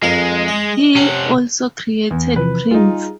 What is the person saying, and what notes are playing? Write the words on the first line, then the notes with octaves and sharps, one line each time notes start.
He also created prints.
F2 G#3 A#4
D#5
C3 C#4 F#5
E2
C3 E3 F3 B4
G3 D#4 F4 G#4